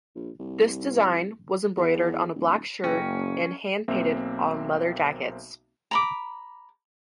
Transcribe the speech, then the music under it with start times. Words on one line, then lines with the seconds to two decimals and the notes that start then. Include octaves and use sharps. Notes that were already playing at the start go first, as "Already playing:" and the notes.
This design was embroidered on a black shirt and hand painted on leather jackets.
0.15 A#1
0.40 C2
1.77 E2
2.35 D1
2.84 F#1 A#3 C#4 G#4 G5 A#5
3.88 B1 A#3 C4 E5
5.91 A#5 B5 D6